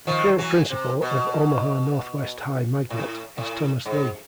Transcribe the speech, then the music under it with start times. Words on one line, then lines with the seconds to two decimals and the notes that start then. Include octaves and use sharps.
The current principal of Omaha Northwest High Magnet is Thomas Lee.
0.07 D#3 F3
0.38 E3 F#3
0.70 C3
1.02 B2
2.90 A2
3.38 A2
3.86 G#2